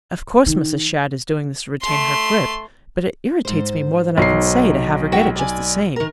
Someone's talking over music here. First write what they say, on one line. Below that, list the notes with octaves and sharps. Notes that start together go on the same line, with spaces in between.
Of course Mrs. Shadd is doing this to retain her grip, but it irritates me more than I can say to have her get it just the same.
D#3
A3 C6
G#2 C5
B1 D#4 C7
F#4 E5 G5
D5 G#5
D#3 A#4